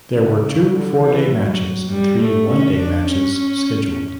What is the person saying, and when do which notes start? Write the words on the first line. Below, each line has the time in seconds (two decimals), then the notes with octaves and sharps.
There were two four-day matches and three one-day matches scheduled.
0.13 C#3
0.42 C#3
0.72 D3
1.02 E3
1.31 F#3
1.91 G3
2.20 A3
2.50 C#4
2.80 D4
3.09 C#4